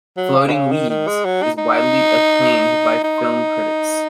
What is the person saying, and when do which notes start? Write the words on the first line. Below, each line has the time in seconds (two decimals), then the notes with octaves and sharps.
"Floating Weeds" is widely acclaimed by film critics.
0.17 F#3
0.35 C#3
0.48 B2
0.53 C#3
0.71 D#3
0.89 D#3
1.07 G#3
1.25 F#3
1.43 D#4
1.58 D#4
3.04 D#4